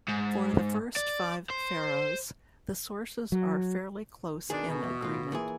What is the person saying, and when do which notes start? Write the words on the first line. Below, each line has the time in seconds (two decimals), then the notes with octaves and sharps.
For the first five pharaohs, the sources are fairly close in agreement.
0.09 G#2
0.96 D5
1.50 C5
3.32 F#3
4.50 B2 D#3 D4 G#4
4.69 B2
4.84 E2
5.02 A2 F4
5.32 A#2 E3 G#4